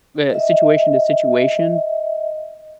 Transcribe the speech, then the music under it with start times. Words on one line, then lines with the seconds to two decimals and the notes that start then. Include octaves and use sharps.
the situation to situation.
0.30 D#5 E5